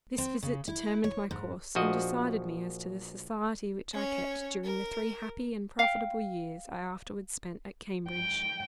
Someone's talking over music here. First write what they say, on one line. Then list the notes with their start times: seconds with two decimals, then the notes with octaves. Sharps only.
This visit determined my course, and decided me as to the society which I kept during the three happy and profitable years I afterwards spent at Cambridge.
0.18 C4
0.43 C#3
0.68 E4
1.04 C#5
1.31 G#2
1.75 A#1 F3 F#4 D#5
3.93 C#4 C#5
4.64 A#4
5.79 F5 G5
8.10 G5